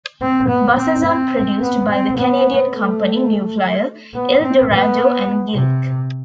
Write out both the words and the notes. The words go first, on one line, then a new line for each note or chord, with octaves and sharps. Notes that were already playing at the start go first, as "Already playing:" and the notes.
Buses are produced by the Canadian company New Flyer, Eldorado, and Gillig.
C4
B3
C4
C4
B3
C4
B3
A3
B3
C4
B3
C3